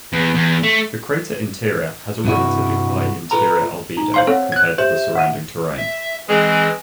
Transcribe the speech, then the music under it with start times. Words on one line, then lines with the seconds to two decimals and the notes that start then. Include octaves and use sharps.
The crater interior has a relatively high interior albedo compared to the surrounding terrain.
0.13 E2
0.35 E2
0.63 A3
2.25 G2 C3 E4 F#4
3.31 F4 A4 B4 A#5
3.97 D#4 A#5
4.14 C5 F5 C6
4.27 C4 A4 C5 C#5 F#5
4.52 F#6 G#6
4.78 G4 C5 E5 G6
5.15 F#5 D#7
5.77 E5
6.28 E3 G#3 C4